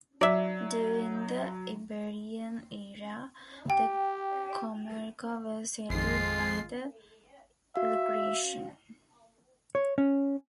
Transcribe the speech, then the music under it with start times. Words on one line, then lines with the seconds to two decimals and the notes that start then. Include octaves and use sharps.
During the Iberian era, the comarca was settled by the Ilergetians.
0.21 F#3 D5 E5
3.70 G4 G5
5.90 A1 F2 D#3 G#3 F4 C7
7.76 F#4 E5 F5
9.75 C#5
9.98 C#4